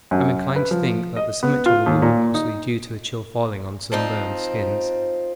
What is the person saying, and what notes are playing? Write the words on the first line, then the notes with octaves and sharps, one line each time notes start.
I'm inclined to think that the summit trouble will be mostly due to the chill falling on sunburned skins.
F#2
B4
F3
D#5
B3
F4
D#2
A#2
D#4
F3 C4 D#4